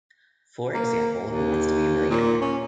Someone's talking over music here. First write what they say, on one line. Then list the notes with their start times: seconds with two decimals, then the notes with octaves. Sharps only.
For example, Who Wants to Be a Millionaire?
0.74 A#3
1.28 D#2
2.10 A#2
2.41 C#4